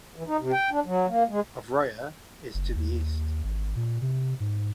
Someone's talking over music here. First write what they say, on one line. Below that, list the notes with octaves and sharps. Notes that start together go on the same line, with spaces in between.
Ovrya is to the east.
E3
D#4
C3
G5
D4
F#3
A#3
G#3
F#1
D#2
G#1
A#2
C3
G#2